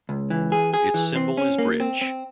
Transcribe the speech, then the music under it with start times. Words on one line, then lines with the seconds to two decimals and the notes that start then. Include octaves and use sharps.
Its symbol is bridge.
0.09 C#2
0.30 E3
0.52 G#4
0.74 G#4
0.94 E3
1.16 C4
1.37 C#4
1.58 A#3
1.80 C4
2.01 C4